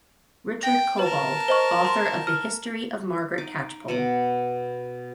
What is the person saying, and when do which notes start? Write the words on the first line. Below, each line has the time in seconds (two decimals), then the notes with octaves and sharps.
Richard Cobbold, author of the "History of Margaret Catchpole".
0.63 G5 A#6
0.99 A#4 B4 A5
1.48 C5 D#5 C#6
1.85 C6
2.27 F6
3.38 D#4 D6
3.88 B2 F#5 D6